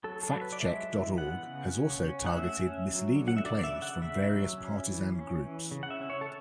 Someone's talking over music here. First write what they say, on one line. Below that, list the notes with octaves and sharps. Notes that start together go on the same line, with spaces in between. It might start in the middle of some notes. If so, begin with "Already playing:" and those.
FactCheck dot org has also targeted misleading claims from various partisan groups.
F#3 A4
A4
F#3
B4
D5
G#3 E5
E3
B3 F#5
C#3
C#4
C#4
F#5
A3 E5
C#4
F#3
D3
F#5
E5
C#3 D5
D5
E5
C#3
F#5
C#3 E5
F#3
C#4
E3
C#4
E3
C#3
F#5
E5
C#4
C#5
A4